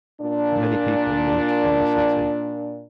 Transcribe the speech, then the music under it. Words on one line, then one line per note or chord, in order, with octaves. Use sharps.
Many people moved from the city.
A#2 D4